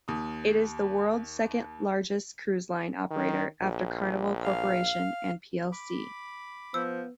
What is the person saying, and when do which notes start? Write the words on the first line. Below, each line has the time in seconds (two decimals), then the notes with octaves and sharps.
It is the world's second-largest cruise line operator, after Carnival Corporation and plc.
0.08 D#2 D#6
3.11 D#3
3.61 A#1
4.44 F5
5.72 B5 D6
6.74 F3 B3 E6